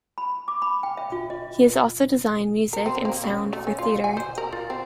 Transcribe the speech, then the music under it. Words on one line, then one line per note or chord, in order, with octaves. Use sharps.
He has also designed music and sound for theatre.
B5
D6
B5
G5
E5
F4
D#5
A#4
C4
A#3
C#3
A3
C#4
F4
G#5
C5
A#4
F4
C4